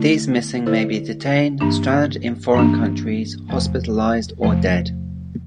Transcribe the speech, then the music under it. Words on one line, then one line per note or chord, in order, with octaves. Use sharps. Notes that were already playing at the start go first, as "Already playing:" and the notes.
These missing may be detained, stranded in foreign countries, hospitalized or dead.
Already playing: D3 A3 E4
D3 A3 E4 A4 C5
G2 E3 A#3 D4
G2 E3 A#3 D4
E2 C3 F3 A3
E2 C3 F3 A3